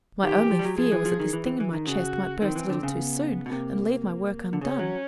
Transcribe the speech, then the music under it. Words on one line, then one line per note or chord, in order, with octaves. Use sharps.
My only fear was that this thing in my chest might burst a little too soon and leave my work undone.
D#3 G4
E3
F3
G3
F#3
F3 G#4
E3
F3
D#3
E3
E3
E3
D#3
C#3 F#4
D#3 C4
E3
D3
C#3
B3
B2
C3 A#3
D3
C#3 C#4
F#3